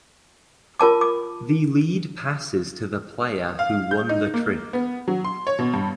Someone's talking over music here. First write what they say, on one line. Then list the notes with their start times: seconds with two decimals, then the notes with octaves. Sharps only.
The lead passes to the player who won the trick.
0.80 F4 A#4 A5 D6
1.01 D6
3.59 F5
3.91 G6
4.09 D#4
4.34 A#3
4.73 B3
5.08 F#3
5.24 C6
5.47 C#5
5.59 B2
5.74 G2